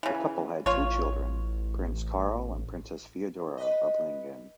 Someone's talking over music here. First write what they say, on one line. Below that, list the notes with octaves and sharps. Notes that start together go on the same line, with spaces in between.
The couple had two children, Prince Carl and Princess Feodora of Leiningen.
C#3 E3
A1 F4 C#5
B4 D#5